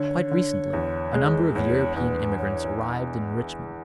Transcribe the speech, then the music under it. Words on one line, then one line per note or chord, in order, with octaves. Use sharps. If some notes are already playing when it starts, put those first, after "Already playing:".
Quite recently a number of European emigrants arrived in Richmond.
Already playing: D3 C#5
D3
E2
G#3
E2 C#5
E2 B4
C#5